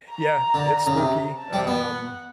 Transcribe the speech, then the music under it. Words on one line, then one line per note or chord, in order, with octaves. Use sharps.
Yeah, it's spooky, um,
A#5
D3
C#3
C3
A5
G3
B3
F#5